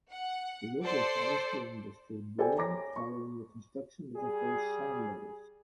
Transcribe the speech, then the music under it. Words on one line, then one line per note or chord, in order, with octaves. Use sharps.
The local forestry industry boomed following the construction of the first sawmills.
F#5
A4 C5 D5
G4 A4 C5 D5 G5 G#5
C#5 A#5 D6 A#6
C#6
G3 G#4